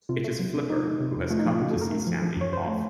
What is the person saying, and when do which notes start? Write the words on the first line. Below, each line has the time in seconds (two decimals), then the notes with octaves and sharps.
It is Flipper, who has come to see Sandy off.
0.09 C3 F4
0.24 A3
0.39 F#3
0.55 C3
0.70 C3 D#4
0.85 A3
1.00 C3
1.16 F2
1.31 A3 F4
1.39 D#4
1.46 F3 F4
1.61 C#3 F#4
1.71 A4
1.76 F#2
1.81 A#4
1.91 A3
2.07 F3
2.22 F3
2.37 F#2 C#5
2.52 F#2 C5
2.68 A3